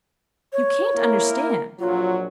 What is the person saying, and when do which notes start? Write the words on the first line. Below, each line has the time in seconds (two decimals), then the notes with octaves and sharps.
You can't understand.
0.53 C#5
0.94 A#3 E4 A#4
1.80 A#1 F#3 F4